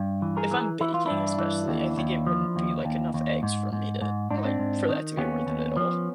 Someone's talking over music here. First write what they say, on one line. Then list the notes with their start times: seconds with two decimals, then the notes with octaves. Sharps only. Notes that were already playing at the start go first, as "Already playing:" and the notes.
if I'm baking especially, I think it wouldn't be like enough eggs for me to, like, for that to be worth it at all.
Already playing: G2
0.22 E3
0.37 G#4 A#4
0.51 E3
0.81 E3 E4
0.94 F4
1.06 G2 D4 E4
1.38 E3
1.68 D#2
1.97 D#2
2.26 F3
2.56 D#2
2.85 D#2
3.14 D#2
3.43 G#2
3.73 G#2
4.02 G#2
4.31 G#2 D4
4.38 D#4
4.44 C4 D4
4.59 G#2
4.89 D#3
5.17 D#2 B3 C#4
5.47 D#2
5.77 F3